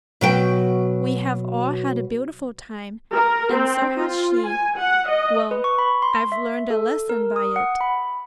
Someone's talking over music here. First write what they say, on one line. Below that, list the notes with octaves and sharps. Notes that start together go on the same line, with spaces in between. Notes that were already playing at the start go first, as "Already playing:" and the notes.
We have all had a beautiful time, and so has she. Well--I've learned a lesson by it.
B2 F#3 G5
A#4
C4
F4
G#5
F#5
D#5
B4
C#6
B5
C6
E5
A4
A#4
D#6
F#5
B5